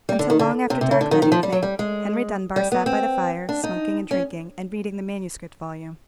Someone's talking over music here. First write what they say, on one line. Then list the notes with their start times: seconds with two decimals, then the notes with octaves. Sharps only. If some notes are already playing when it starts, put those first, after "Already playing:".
Until long after dark that evening, Henry Dunbar sat by the fire, smoking and drinking, and reading the manuscript volume.
0.09 G3
0.19 D3
0.30 D#3
0.39 D3
0.70 C3
0.81 C3
0.91 C#3
1.01 D3
1.11 D#3
1.22 D#3
1.32 F3
1.43 G3
1.52 F#3
1.63 G3
1.79 G#3
2.56 G3
2.72 B3
2.86 C4
3.49 D4
3.64 D#4
4.11 C#4